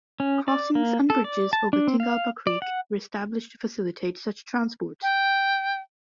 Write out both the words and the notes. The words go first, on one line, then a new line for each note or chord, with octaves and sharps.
Crossings and bridges over Tingalpa Creek were established to facilitate such transport.
C#4
D5
A#3
A4
D5
A5
D4
C4
F5
D5
F#5
G5